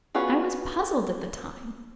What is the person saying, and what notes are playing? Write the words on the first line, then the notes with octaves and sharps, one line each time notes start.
I was puzzled at the time.
B3 C#4 F4 F#4 G#4